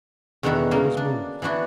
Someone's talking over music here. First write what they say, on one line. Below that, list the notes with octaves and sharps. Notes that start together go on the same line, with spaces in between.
I was moved.
E2 B2 D3 D#3 F#4 E5
C#3 G#3 A#3 D#4
D4
E3 B3 D4 F#4